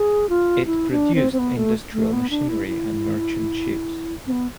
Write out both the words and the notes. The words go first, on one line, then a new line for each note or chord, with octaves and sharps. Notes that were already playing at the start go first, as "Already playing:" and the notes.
It produced industrial machinery and merchant ships.
Already playing: G#4
F4
E4
D4
C4
C4
B3
A3
A3
B3
D4
E4
E4
C4
B3